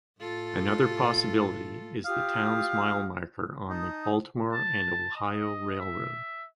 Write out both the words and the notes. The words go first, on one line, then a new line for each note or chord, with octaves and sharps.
Another possibility is the town's mile marker on the Baltimore and Ohio Railroad.
A2 F4 A4
F4 G4 F5 D#6
D#4 A5 D#6
A5
D#5
E5